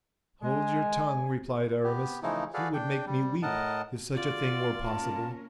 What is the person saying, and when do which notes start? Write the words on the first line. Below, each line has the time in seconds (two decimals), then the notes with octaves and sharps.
"Hold your tongue," replied Aramis; "you would make me weep, if such a thing were possible."
0.42 G#3 G#5
1.84 B3 G4
2.23 C#3 E3 F3 A3 D#4 E4
2.54 F#4 G#4 A4 B4 D5 F5
2.74 D4 G5
3.06 G3
3.43 A2 A#4 D#5 F#5 A5
4.14 F4 F#4 D5
4.85 A#3 C#4 A#4 A5